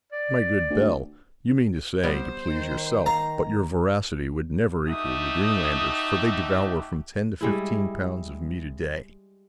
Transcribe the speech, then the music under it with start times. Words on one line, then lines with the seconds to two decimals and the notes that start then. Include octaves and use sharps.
"My good Bell, you mean to say to please yourself, but your voracity would never equal the Green-landers', for they devour from ten to fifteen pounds of meat a day."
0.12 D5
0.70 D2
2.03 G3 B3 C5
2.45 D#3
3.06 F5 A#5
4.88 A3 D#4 F#4 G4 D#6
7.41 G3 G#3 E4